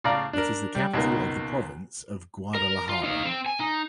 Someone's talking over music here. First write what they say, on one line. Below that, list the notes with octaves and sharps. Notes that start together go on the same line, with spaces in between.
It is the capital of the province of Guadalajara.
A2 C#3 D5 F5 A#5
D4 A#4
G3
C#2 B2 D#3 A#3
A#4
F4
D#4 F5
C4
G#5
D#4